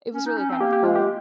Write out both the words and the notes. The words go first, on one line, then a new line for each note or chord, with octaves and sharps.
it was really kind of cool.
C#4
D#4
C#4
C4
A#3 G4
G4
G#3 F4
G4